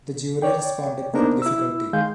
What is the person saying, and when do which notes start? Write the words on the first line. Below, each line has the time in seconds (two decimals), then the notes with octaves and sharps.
The jury responded with difficulty.
0.42 C#5 D5 G5
1.14 A#3 B3 D4 D#4 A#4 C5
1.42 E4 E6
1.93 D#3 G#3 F5 G6